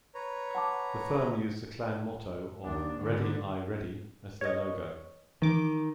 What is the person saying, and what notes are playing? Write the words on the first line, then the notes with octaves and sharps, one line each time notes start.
The firm used the clan motto of "Ready Aye Ready" as their logo.
B4 C#5 A#5
F#5 A5 D6
D#2 D4
G#2 D3
C#5 D#5
D#3 E3 D6